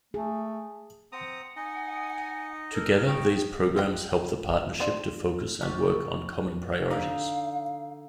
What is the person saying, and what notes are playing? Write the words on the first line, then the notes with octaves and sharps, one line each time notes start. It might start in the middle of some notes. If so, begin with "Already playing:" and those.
Together these programmes help the partnership to focus and work on common priorities.
A3 G#4
C4 F#5 A#5 D#6
D#4 D#5 G#5
A4 A#4
G5 C#6
D#3 D#5 G5
F3 C4 D4
F3 F#4 G4
D3 D#4 F5 G5